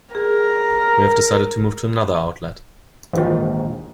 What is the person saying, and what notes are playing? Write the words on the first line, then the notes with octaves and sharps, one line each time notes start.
We have decided to move to another outlet.
G#4 A#4
A#1 D#2 G#2 E3 F4